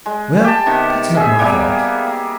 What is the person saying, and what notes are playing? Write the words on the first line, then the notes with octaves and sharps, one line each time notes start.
"Well, that's not my fault."
G#3
G4 A5
C3 D#3 B3
G#4 E5
G3 A#3 B3 G#4
A#3